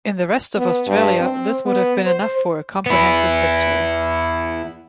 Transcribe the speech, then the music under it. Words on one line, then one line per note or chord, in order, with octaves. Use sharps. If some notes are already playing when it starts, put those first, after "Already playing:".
In the rest of Australia, this would have been enough for a comprehensive victory.
B3
G2
C4
B3
C5
B3 E4